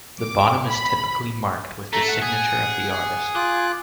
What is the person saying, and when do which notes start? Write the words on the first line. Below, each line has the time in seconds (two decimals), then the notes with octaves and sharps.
The bottom is typically marked with the signature of the artist.
0.20 D6
0.66 B5
1.93 A3 A#5
2.08 F#5
2.22 G#4
3.35 F4 D6 F#6